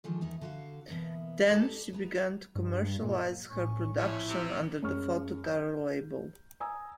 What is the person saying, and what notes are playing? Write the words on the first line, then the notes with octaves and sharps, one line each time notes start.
Then, she began to commercialize her production under the Photo Taro label.
D3 D#3 F3 G#3 D4
E2 D#3 D#4 E4
D3 F#4 F5
B2 E3 A#3 B3
D#4 G4 A4 B4 D5 A5
B3 E4 A#5
G2
A#2
A#1 A2 C#4 C#6
F2 A2 F3 C#4 E4
C3
F#2 G#3 C#6 F6
G6
G#5 A#5 D#6 E6